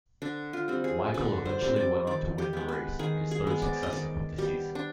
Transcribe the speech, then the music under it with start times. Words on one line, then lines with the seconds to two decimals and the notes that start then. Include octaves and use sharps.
Michael eventually went on to win the race, his third successive of the season.
0.22 D3 D4
0.53 F4
0.68 G3 C4
0.84 G#4
1.14 D3 B4
1.45 C5
1.61 G3 C4
1.76 D5
2.07 D#3 D5
2.38 G4
2.53 G#3 B3
2.68 B4
2.99 D#3 G#4
3.31 G#4
3.47 G#3 B3
3.62 D5
3.83 D#5
3.93 D#3 D5
4.38 G3 B3 G4
4.75 D4